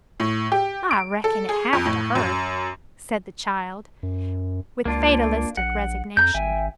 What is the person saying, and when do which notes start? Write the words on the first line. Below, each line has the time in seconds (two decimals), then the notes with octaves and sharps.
"I reckon hit have to hurt," said the child, with fatalistic resignation.
0.20 A2
0.52 G4
0.91 D7
1.24 A4
1.49 G#4
1.73 F2
1.86 A2
2.15 F#2
4.03 F#2
4.85 C#2 A#3 D4 F4
5.57 A#1 F#5
6.17 F2 A#5 G6
6.34 G#1 E5 G5 G#5